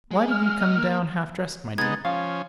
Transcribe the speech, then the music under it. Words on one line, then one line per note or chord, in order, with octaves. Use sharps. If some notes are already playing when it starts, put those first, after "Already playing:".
"Why did you come down half-dressed, my dear?"
G#3 G#4
F6
B3 D#5
A#3
G#3 B3 D#4 G#6 A6
F3 C#4 F5